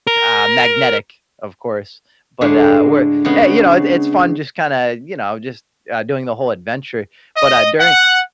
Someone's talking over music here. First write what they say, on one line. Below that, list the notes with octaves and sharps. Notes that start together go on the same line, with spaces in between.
ch uh, magnetic, of course, but, uh, we're Eh, you know, it it's fun just kinda, you know, just, uh, doing the whole adventure, but, uh, during
A#4
A2 D3 G#3 D4
C#3 G#3 B3
D#5
F#5